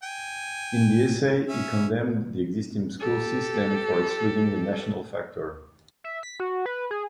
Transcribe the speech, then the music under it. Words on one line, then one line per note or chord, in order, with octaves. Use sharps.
In the essay he condemned the existing school system for excluding "the national factor".
G5 G#5
C#4 E5
G4 A4
E5
B6
F#4
B4
G#4